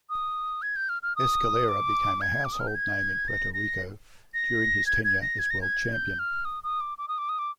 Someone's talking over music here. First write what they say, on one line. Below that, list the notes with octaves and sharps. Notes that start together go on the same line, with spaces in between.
Escalera became a household name in Puerto Rico during his tenure as world champion.
D#6
G#6
G6
F6
F6
D#6
D6
G#6
D6
D#6
F6
G6
G#6
A#6
A#6
A#6
G#6
G#6
A#6
G#6
A#6
G#6
G6
F6
D#6
D#6
D6
D6
D#6
D6
D#6
D6